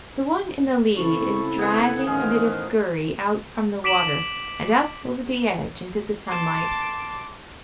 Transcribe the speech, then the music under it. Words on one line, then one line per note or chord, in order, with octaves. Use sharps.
The one in the lead is dragging a bit of gurry out from the water and up over the edge into the sunlight.
C#3 C4 E4 A4 F5 C#6
B3 F5 F#5 G#6
A1 D#3 F3 G#4 F6
D6 B6 D7 E7 F#7
A5 C6 D6